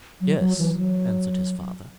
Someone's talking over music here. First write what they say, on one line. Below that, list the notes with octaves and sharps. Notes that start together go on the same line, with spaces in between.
"Yes," answered his father.
F#3
F#3
E3
F#3